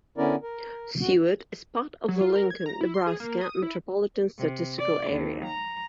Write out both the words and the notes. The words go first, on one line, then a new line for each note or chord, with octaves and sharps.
Seward is part of the Lincoln, Nebraska Metropolitan Statistical Area.
D3 B3 C#4 E4 A#4 D5
A#4
F2 F#4
F#3
F4
A#4
G#6
A#5
E4
C6
G#4
A#3
D#6
E4
C3
D5
D#2
A#5